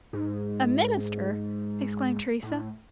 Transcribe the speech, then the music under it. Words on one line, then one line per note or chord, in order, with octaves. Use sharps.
"A minister!" exclaimed Teresa.
G#2
A2